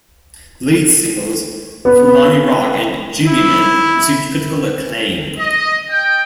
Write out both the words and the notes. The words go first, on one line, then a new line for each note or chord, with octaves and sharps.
The lead singles, "Fulani Rock" and "Gilli Men", received critical acclaim.
B3
E4
D#5
G5